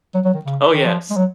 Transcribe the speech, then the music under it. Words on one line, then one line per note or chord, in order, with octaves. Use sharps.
Oh, yes."
F#3
F#3
D#3
C#3
D#3
F3
G#3
F#3